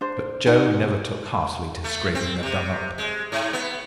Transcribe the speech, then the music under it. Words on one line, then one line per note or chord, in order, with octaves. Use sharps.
But Joe never took heartily to scraping the dung up.
D4 C5
D#4 F#5 G#5
A3
C4
C3
G#3
G#2
B3